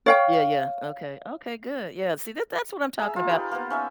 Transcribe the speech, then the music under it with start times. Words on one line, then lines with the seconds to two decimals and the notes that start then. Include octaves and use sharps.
Yeah, yeah, okay, okay, good. Yeah, see, that that's what I'm talking about.
0.06 C#5 F5 G5
2.99 G#4 E5 A#5
3.16 F4
3.30 D#4 G4 A#4 B4
3.51 A#3 B3
3.70 C#4 D#4 E5